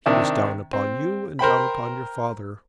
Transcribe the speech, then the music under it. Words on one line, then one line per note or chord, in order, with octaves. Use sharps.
He was down upon you and down upon your father.
C3 D#3 D4 E4
C4
A#4 C5 G5 B5